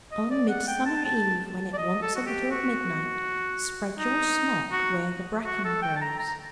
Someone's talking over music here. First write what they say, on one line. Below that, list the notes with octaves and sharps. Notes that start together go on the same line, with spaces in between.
'On Midsummer Eve, when it wants a little of midnight, spread your smock where the bracken grows.
D#5
D5
F#5
G5
A5
A5
D5
D#5
A4
F#4
G4
F#4
D#4
F#4
F#4
A4
G5
A5
A#5
A#5